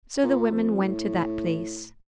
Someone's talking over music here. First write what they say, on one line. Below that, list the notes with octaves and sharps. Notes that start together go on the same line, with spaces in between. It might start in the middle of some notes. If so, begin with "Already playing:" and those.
So the women went to that place.
A#2
F2
A2